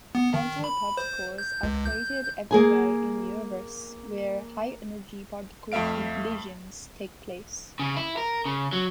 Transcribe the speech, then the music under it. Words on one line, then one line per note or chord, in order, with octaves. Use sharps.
Antiparticles are created everywhere in the universe where high-energy particle collisions take place.
B3
D#3
B5
C5
G6
C#2
G6
A#3 G#4 G#5
F2 A3 E5 F5 D7
C#3
E4
A#4
C#3
F#3